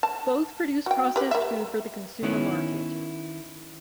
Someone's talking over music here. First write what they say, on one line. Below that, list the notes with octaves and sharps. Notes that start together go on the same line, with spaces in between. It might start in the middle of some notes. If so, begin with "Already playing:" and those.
Both produce processed food for the consumer market.
A5
F#4 G5
G4 B4
A#3 E5
D#3 B3 C#4 E4